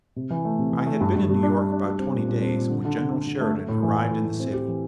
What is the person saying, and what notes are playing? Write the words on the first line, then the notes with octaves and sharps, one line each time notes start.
I had been in New York about twenty days when General Sheridan arrived in the city.
C3
E3
A3
C3
E3
A3
G2
G2
G3
D4
D4
D4
G3
C4
A#2
A#2
C4
A#2
D3
D3
D3
D3
D3
A3
A3
A2
E3
A2
A2
A2
C4
G4
E3